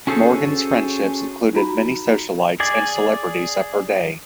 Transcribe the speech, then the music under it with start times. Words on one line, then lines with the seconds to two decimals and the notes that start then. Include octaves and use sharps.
Morgan's friendships included many socialites and celebrities of her day.
0.07 C#4 F#4 G#4 A4 C5 C#5
1.53 D#4 F4 F#4 A#5 B5
2.60 G#4 D5 G#5